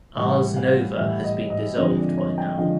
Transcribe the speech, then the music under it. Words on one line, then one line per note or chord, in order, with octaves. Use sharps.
Ars Nova has been dissolved by now.
A2 E3 G3 F#5
F5
A2 E3 G3 E5
D#5
D#5
F2 D3 F3 G#3 D#5
D5
C#5
G5
D3 F3 G#3 F5